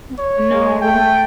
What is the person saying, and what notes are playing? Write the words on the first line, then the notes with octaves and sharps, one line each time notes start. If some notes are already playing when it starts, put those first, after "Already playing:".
Oh, no.
C#5
G#3
A3 G5